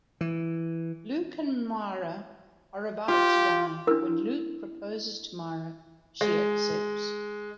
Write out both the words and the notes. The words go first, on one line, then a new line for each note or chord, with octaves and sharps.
Luke and Mara are about to die, when Luke proposes to Mara, she accepts.
E3
F4 G4
D4 E4 A#4 E6
G#3